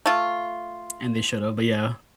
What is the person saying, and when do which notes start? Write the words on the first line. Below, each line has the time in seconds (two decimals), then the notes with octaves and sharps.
And they should've, but yeah.
0.06 A3 F4